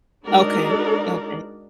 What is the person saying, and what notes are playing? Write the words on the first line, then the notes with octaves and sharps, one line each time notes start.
Okay, okay.
G#3 D4 D#4 F#4 A#4 D5